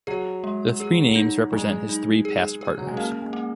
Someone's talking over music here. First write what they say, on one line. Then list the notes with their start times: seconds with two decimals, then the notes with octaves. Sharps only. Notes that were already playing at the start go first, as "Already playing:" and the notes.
The three names represent his three past partners.
0.07 F#3 G#4
0.44 G#3
0.80 G#4
1.16 D#4
1.52 F#3 G#3
1.89 D#4
2.25 G#4
2.61 G#4
2.78 F#3
2.87 G#3
2.97 A#3 C#4
3.22 G#3
3.33 A#3